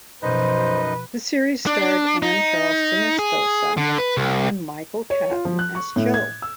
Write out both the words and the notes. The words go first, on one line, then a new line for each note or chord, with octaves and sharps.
The series starred Anne Charleston as Dossa and Michael Caton as Joe.
F#2 B2 F3 D#4 B4 C5 D#5
D4
D#4
G#4
D3
B4
C2
C#5
F4
F3
F#6
C#6
A2
G#6
E6